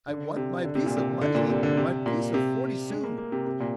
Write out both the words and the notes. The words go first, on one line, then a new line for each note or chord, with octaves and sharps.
"I want my piece of money! my piece of forty sous!"
D3
C3
D3
C3
A#2
C3
D3
A#2
C3
D3
C3
A#2
C3
G#3
A#3
A#3
C3
C3
A#2